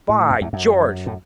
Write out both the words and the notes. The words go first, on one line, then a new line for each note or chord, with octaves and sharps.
By George!
A2
F#2
E2
F#2
A2